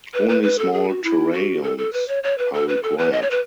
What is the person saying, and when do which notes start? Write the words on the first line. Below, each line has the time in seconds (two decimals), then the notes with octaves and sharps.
Only small terrariums are required.
0.14 B4
0.29 B4
0.43 B4
0.59 A4
0.74 G#4
0.89 F#4
1.04 E4
1.34 F#4
1.64 A4
1.78 A4
1.93 B4
2.08 C#5
2.23 C#5
2.38 B4
2.54 A4
2.69 B4
2.83 A4
2.98 B4
3.12 D#5
3.22 C#5
3.31 B4